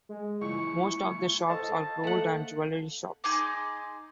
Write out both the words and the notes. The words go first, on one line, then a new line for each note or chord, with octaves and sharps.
Most of the shops are gold or jewelry shops.
G#3
C#2 A#2 E3 E4 C#6
A4 C5 D#5 F5 A5
A3 A#3 F#5
D#4 G#4 C6 D6